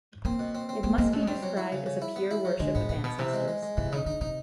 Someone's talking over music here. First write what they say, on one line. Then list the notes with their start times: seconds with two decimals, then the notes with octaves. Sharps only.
It must be described as a pure worship of ancestors.
0.25 A#3 C4
0.39 B2
0.55 C4
0.69 C4
0.83 A#3 C4
0.98 G#3 A#3
1.13 B2 A3
1.23 G#3
1.27 G3 C4
1.43 F#3
1.57 E4
1.72 C#3
1.86 C#3
2.02 E4
2.16 B3
2.31 E4
2.45 F#3
2.60 D3 G#3
2.75 A2 B3
2.89 A#2 B3
3.04 B2 B3
3.19 C3 E3
3.34 G#3
3.48 G#3
3.63 G#3
3.77 C3 E3
3.92 C#3 D#4
4.06 D3 D#4
4.21 C3 D#4